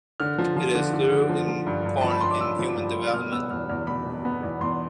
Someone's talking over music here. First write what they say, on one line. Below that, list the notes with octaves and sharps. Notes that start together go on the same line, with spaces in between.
It is thus important in human development.
D3 F6
F3
F3
D3
D3
D3
F3
F3
G2
G2
F3 A5
B5
G2 C6
D6
F3 E6
F3
G2
G2
B2 F6
B3 E6
E2 F6
E2 F6
B2 B5
B2
B3
E2
E2 C6